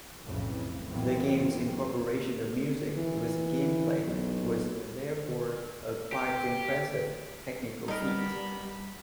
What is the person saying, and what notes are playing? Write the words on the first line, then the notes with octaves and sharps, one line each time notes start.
The game's incorporation of music with gameplay was therefore a quite impressive technical feat.
B1 F2 A2 C#3 E3
F2 A#2 E3 F#3 B3 C4
E3
B1
G4
G3 B3 D4 D#4 A#4 B5